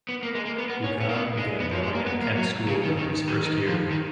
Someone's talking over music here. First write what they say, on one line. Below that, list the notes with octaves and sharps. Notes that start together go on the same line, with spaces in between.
Buchan began rowing at Kent School during his first year.
B3
A#3
G#3
A#3
B3
B3
C#4
B3
A#3
B3
G#3
B3
F3
G#3
A#3
B3
A#3
F#3
C#3
D#3
D#3
D#3
D#3
F3
D#3